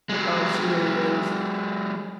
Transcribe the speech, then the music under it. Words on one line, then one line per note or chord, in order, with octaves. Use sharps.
Oh, she really is.
F#3 G#3